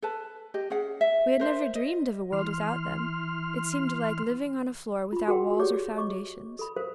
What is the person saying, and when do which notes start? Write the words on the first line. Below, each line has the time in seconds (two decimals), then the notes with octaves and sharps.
We had never dreamed of a world without them; it seemed like living on a floor without walls or foundations.
0.02 A4 B4 A5
0.54 G4 D#5
0.70 C#4 G#4 F#5
1.01 E5
1.40 A#4 C5 E5
1.75 D#5
2.32 E3 C6 F6
5.12 F4 B5
5.28 F#4 G#4 A#4 F#5 G5 C6
5.59 G4 G#4 C#5 D5 D6
5.97 D#5 C#6 D6
6.59 A4 B5
6.76 A4 A#4 C5 F5